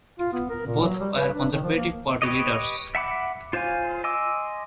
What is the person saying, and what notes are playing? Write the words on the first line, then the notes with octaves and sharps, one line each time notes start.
Both were Conservative Party leaders.
F4
B3
A#4
A#2
F#3
G3
B4
D4
D#3
F3
A#3
G4 B4 C#5 D#5
E5 F#5 B5 D6
F4 C5 C#5 F5 G#5
D#5 G#5 C6 D6 E6